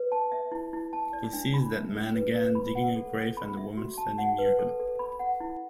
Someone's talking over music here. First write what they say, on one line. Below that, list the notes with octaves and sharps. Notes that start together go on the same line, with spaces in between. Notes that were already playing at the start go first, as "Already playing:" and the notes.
He sees that man again, digging a grave and a woman standing near him.
Already playing: B4
A5
E5
E4
E4
A5
D5
D4
B5
E5
A4
B4
B4
B5
F#5
A4
A4
B5
E5
F#4
A5
F#5
B4
A4
A4
B5
F#5
E4